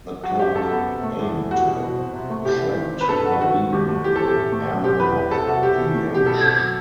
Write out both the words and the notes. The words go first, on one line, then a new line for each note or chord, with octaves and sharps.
The club aimed to attract the leading airmen of the age.
F#3 F#4
F#2 G4
F#2 A4
B3
C3
A3
E2
E3
G3 F#4
B2
B2
C4
C3
A3
C2 G4
E3
D#3
C4
B4
G2 A4
F#3 F#4
D#3 F#4
C4
D#2 G4
A3
E3 G4
C4 A4
G4
A2
A3
B2
C4 G4
E2 B4
G3
C3 A4
C2 F#4
C2 G4
E3
A3
B2 G4
B2 A4
C4
F#3